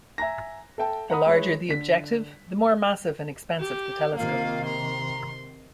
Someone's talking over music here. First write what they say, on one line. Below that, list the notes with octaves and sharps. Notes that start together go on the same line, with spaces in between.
The larger the objective, the more massive and expensive the telescope.
E5 G#5 A#5 A#6
A4 E5 G5 A5
F#5 A#5 B5 D#6
G#3 E4 B4 C#5
D3 B6
G4
C3 D#3 A#3 F4 F5
A#5 C6